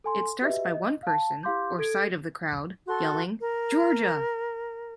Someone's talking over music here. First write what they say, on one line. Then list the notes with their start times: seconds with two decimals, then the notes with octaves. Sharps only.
It starts by one person, or side of the crowd, yelling Georgia!
0.04 A4 G#5 C6
0.41 F#4 G4 B4 D#5 E5
0.74 D#5
1.03 F5 A5
1.43 E4 G4 F5 C6 D6 G6
1.79 A4 G#6 D7
2.86 F#4 A4 C6
3.40 A#4